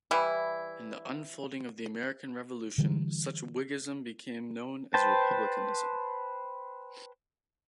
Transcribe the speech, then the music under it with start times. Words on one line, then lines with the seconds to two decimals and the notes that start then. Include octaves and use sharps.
In the unfolding of the American Revolution such whiggism became known as republicanism.
0.11 E3 G3 E4
2.78 D3 E3 G3
4.94 B4 C5 G5 A5